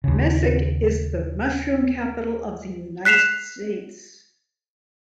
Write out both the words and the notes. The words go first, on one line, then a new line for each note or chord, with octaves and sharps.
Mesick is the Mushroom Capital of the United States.
D#2 C#3
F#6 B6 C7 E7 F7